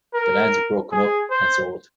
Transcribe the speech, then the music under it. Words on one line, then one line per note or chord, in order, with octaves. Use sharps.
The lands were broken up and sold.
A#4
G#4
C5